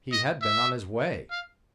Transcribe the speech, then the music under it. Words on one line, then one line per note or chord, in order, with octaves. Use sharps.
He had been on his way.
D#5
E5
F5